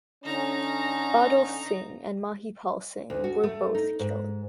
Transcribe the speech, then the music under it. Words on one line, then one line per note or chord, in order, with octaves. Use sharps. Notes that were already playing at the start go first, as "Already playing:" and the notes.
Badal Singh and Mahipal Singh were both killed.
D3 C#4 D#4 A#5
D2
F#4
A3
D#4
G#2